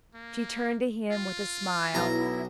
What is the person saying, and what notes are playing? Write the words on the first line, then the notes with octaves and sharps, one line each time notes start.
She turned to him with a smile.
A#3
F4
B1 B3 E4 A#5